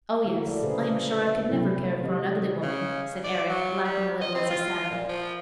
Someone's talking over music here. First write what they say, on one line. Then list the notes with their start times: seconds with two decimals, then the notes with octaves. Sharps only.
"Oh, yes, I am sure I could never care for an ugly woman," said Eric, laughing a little as he sat up.
0.25 D3 F3 A3 E4 F#4 A#4
0.47 A3 E4 A4 D5 E5 F5
0.62 A#2 C#3 G#4 B4 C5 F5
1.48 C3 F#3 A#3 E4 A4
2.01 D#3 G#3 C4 G4 D#5
2.62 C#3
3.24 D5
3.49 F#3
3.84 G3
4.21 D#5
4.35 C4
4.50 F4
4.91 A#2
5.08 F3